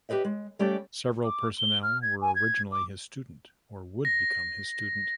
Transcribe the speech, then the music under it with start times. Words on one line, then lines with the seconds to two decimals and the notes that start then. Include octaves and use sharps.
Several personnel were originally his student or would become his student.
0.09 G4 G#4 B4 D#5 E5
0.25 G#3
0.59 G3 A3 C#4 G4 A4 D5
1.24 D6
1.58 G7
1.83 F6
2.02 G#6
2.22 G#5
2.36 G#6
2.72 D6
4.05 A#6